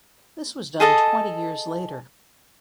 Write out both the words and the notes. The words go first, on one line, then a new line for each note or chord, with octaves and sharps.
This was done twenty years later.
G#4 A4 D#5 A5